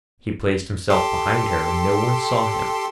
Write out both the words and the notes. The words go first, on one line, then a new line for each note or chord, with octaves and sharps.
He placed himself behind her, and no one saw him.
G4 A4 C6